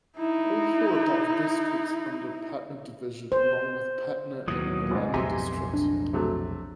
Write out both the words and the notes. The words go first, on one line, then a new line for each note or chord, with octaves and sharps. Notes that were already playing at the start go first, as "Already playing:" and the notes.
All four above districts falls under Patna Division along with Patna and Nalanda District.
D#4 E4
C5
D#2 A2 E3 F#3 D#6
C#2 G#2
B1 F2 A2 G4 E5 G#5 A#5 C6
D4
C3 F#3 A3